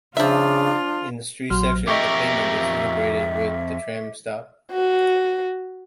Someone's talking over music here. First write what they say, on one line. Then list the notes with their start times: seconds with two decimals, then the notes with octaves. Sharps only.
In street sections, the pavement is integrated with the tram stop.
0.17 C#3 F3 D4 F4 E5
1.50 A#1 F#3 C6 F6
1.87 F2 G4 A#4 D#5 E5 C#6 D6
4.71 F#4